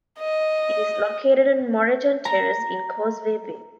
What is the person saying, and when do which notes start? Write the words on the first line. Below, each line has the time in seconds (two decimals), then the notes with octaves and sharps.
It is located on Moreton Terrace in Causeway Bay.
0.20 D#5
2.25 A#5